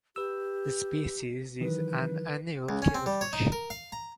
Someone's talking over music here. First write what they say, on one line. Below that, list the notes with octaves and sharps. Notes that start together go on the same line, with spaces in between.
The species is an annual killifish.
G4 B4 E6
D#3 E3 F#3 B4
C#2
C#4
C4
G3
C#5
D#4
A#4
F5
A#5